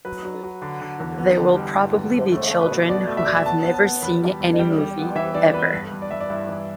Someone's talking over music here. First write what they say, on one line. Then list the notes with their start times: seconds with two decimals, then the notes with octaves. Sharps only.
They will probably be children who have never seen any movie, ever.
0.05 F#3 B4
0.25 F#3
0.43 F#3
0.62 D3
0.81 D3
1.00 E2
1.18 B3
1.37 D3
1.56 G3
1.75 G2
1.94 B3
2.14 D3
2.32 A3
2.51 A3
2.61 B4
2.70 B2
2.89 B2 D5
3.07 A3
3.17 E5
3.26 B2 D5
3.36 E5
3.46 B3 A5
3.65 B3
3.74 A5
3.83 B3
4.02 E2 B5
4.22 G3
4.41 E2
4.59 G3 G5
4.78 G3
4.98 B3
5.15 E3 E5
5.34 E3 D5
5.54 B3 B4
5.73 G2 B4
5.92 G2
6.02 D5
6.10 G2 E5
6.20 D5
6.30 G2 E4
6.49 E3